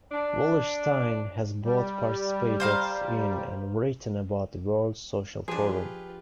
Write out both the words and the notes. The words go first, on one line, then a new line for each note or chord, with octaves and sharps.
Wallerstein has both participated in and written about the World Social Forum.
D4
G3
C5 F5 A#5
F3 D4 F4 G4 G#4 B4